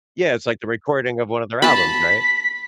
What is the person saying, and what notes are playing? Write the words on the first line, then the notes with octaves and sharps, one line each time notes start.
Yeah, it's like the recording of one of their albums, right?
A5 B5 B6